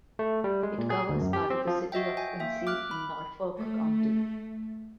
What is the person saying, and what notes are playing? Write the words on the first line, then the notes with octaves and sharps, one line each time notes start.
It covers part of the city of Quincy in Norfolk County.
A3
G3
G#3
A#2
G#4
D2
F#2
G4
C4
F3
F#4 D#5 E5 G5
G5 G#5
A#3 E5 G5
D6 F6 F#6
B5
A3